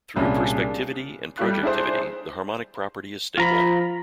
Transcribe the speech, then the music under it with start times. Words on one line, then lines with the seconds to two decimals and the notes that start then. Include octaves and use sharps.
Through perspectivity and projectivity, the harmonic property is stable.
0.16 C2 A#2 C#4 D4 G#4
1.38 G3 A3 F4 F#6
1.63 D4 E4 G#4 C5
3.38 F3 F4 A#5 B5